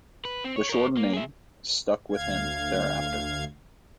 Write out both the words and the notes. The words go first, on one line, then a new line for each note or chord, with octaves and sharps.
The shortened name stuck with him thereafter.
B4
C4
C#5
A#4 C#5
A#3
G#4 E5
D2 F5 G#6